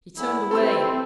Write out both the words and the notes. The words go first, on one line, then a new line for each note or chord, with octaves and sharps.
He turned away.
E2 A2 E4
C4 G4 A4 B4 E5 E6